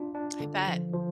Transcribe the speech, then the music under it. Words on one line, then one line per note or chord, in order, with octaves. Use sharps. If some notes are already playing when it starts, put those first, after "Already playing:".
I bet.
Already playing: D4 F4
D4
D3
F3
F3